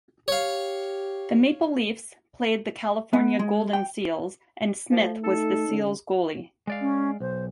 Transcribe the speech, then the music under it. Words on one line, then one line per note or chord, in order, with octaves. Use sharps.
The Maple Leafs played the California Golden Seals and Smith was the Seals goalie.
G4 C#5 F5
B3
G#3
G5
F3 A3
D#4 A4
D3 C#4
G#3 D5 F5
C#4
B1 C5